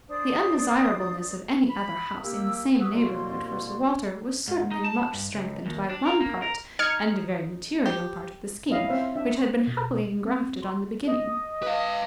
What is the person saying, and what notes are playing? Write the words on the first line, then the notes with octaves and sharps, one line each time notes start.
The undesirableness of any other house in the same neighbourhood for Sir Walter was certainly much strengthened by one part, and a very material part of the scheme, which had been happily engrafted on the beginning.
D4 C5 D5 D#6
B5
A#3 G4 E6
F#4 G#4 B4 D#6 E6
C2 B2 A#3 F#4 D5 C6
G#2
D#4
A5
G2
C#2
D#2
D4
A#4
A#3
A#4
D#4 F6 G#6 C#7
G4
C#4 E4 D#5 F5
C4 C5 E5 F5
D4 E5 G5
B2
C4
C6
D#5
B4 F5